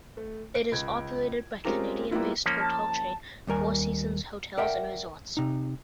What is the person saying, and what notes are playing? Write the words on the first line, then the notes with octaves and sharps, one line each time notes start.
It is operated by Canadian-based hotel chain, Four Seasons Hotels and Resorts.
A3
D7
C#2 G#6
G#3 C4 C#4 F4 G4 A#4
G3 A#3 B3 E4 F4
F3 A#3 C#4
A5
D#2 G3 A#4 G#5
A#4 D5 E5 F#5 G5
C3 D#4